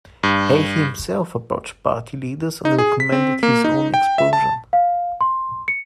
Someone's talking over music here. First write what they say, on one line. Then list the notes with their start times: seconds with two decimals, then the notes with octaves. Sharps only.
Hay himself approached Party leaders and recommended his own expulsion.
0.23 G2
2.65 D#4
2.79 G#4
3.00 B6
3.12 C4
3.43 A#3
3.64 D#4
3.94 G5
4.18 E5
4.33 A5
4.73 F5
5.21 C6
5.68 C#7